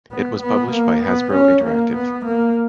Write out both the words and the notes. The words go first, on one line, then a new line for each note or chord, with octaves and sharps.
It was published by Hasbro Interactive.
B3
B3
A#3
B3
C#4
A#3
B3
A#3